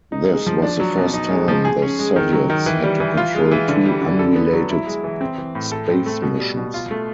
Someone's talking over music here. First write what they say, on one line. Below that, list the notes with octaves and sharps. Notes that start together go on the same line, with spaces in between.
This was the first time the Soviets had to control two unrelated space missions.
D#4
G#3
F3
D4
F#3
B2
D#4
G#3
F3
G#4
C#4
G#3
D#3
F#3
D#3
E3
G3
E3
F4
G#3
E3
D3
G3
D3
A4
B3
F#3
E4
G#3
E3
C4
E3
A2
A4
C4
A3
B2
G3
B2
F4
A3